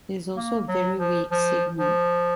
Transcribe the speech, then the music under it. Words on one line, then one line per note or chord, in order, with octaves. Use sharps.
It is also a very weak signal.
A#3
F#3
F3
F3
F3